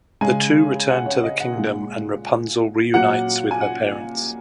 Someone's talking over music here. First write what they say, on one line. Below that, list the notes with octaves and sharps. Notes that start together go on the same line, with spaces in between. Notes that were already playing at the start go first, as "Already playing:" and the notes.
The two return to the kingdom and Rapunzel reunites with her parents.
C#3 G#3 G#5
F#5
C#5
D#5
F#5
A#2 G#3
A#2 F#3 F#5
G#5
F#5